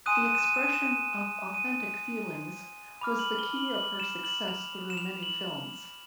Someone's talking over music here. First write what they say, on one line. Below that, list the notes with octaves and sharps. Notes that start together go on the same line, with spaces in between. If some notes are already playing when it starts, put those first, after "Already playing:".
The expression of authentic feelings was the key of her success through many films.
G#5 C6 D#6 F#6 D#7
E7
D#7
E7
D#7
E7
D#7
E7
D#7
D#7
B5 D6 F6 F7
F#7
G7
F#7
F#7
E7
F#7
F7
E7
F7
F#7